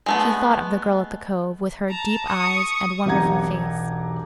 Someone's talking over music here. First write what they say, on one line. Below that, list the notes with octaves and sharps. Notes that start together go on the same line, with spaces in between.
She thought of the girl at the Cove, with her deep eyes and wonderful face.
G#3 A3 B3
A5 A#5
C#6 D#6
E1 B1 G4 F#5 A#5 G#6